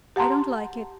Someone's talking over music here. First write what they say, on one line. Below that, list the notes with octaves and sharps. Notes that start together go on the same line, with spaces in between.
I don't like it.
G4 F#5 A5 A#5 C6